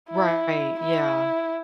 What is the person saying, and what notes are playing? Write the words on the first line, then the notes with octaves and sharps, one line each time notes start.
Right, yeah.
E4
E4